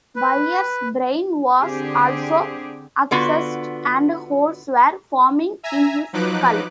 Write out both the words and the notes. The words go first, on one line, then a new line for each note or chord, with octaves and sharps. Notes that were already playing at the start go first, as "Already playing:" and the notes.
Byers' brain was also abscessed, and holes were forming in his skull.
B4
D3 C4 G4 G#4
D3 B3 F4 F#4
E5 G#5 A#5
F3 F#3 D#4 B4 D6 F#6